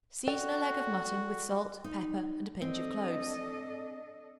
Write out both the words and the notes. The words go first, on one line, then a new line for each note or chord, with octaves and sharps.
Season a leg of mutton with salt, pepper and a pinch of cloves.
F#4 A4 D5 G5
D#4
C4 D4 A4 D#5